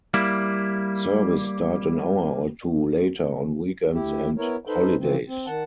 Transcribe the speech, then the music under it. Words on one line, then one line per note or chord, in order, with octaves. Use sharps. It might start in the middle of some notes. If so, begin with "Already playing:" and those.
Service start an hour or two later on weekends and holidays.
G3 A#3 E4
D2 E4 G4
B3 E4 A#4 C#5
D#4 A4 B4 C5
C#3 E3 F3 C4
C4
D#3 F#5 A5